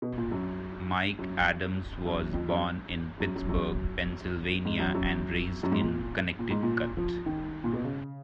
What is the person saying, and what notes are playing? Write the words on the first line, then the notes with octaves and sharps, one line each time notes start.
Mike Adams was born in Pittsburgh, Pennsylvania and raised in Connecticut.
B2
A#2
F#2
F#2
F#2
F2
F#2
F#2
F#2
F#2
G#2
F#2
F#2
F#2
G#2
A#2
A#2
G#2
A#2
F3
D#3
A#2
B2
C#3